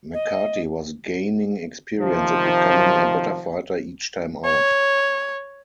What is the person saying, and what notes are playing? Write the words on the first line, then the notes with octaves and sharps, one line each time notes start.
McCarty was gaining experience and becoming a better fighter each time out.
D#5
C3 D#3 F3
C#5